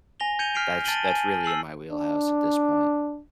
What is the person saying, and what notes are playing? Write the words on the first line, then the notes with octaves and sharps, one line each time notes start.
That's that's really in my wheelhouse at this point.
G#5 A#6 F7 G7
G6 G#6 C#7 D#7 F7 G7
F6 B6 C7 D7 F7
A5 A6 D7 D#7 F#7 G7
G#5 D#7
E6 C7 F#7
D4